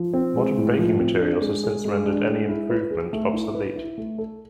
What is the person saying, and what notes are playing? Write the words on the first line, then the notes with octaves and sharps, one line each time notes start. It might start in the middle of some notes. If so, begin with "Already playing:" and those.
Modern braking materials have since rendered any improvement obsolete.
Already playing: F3
C4
G#3
A2
F3
C4
D4
G#3
G#4
G#3
D4
G#3
E4
B4
G#4
A3
E4
B4
E4
A3
A4